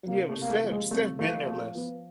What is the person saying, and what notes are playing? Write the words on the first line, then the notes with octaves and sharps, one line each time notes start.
Yeah, but Steph Steph been there less.
C3 A#3
A3
C3
A#3
A3
F3
G#3
C2 A3
F3 A3
F3 A3
F3 B3